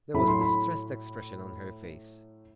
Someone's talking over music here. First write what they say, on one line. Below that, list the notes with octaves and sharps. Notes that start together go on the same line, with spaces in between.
There was a distressed expression on her face.
A2 F#3 A3 B5
C6
B5